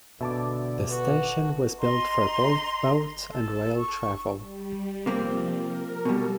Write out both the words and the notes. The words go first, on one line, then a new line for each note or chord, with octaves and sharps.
The station was built for both boat and rail travel.
B2 D3 E5 A5 D6
F#4 B4
D#5 A#5 C6
A4
C#6
G3
C3 F3 A#3 C4
A#4
B2 G3 A4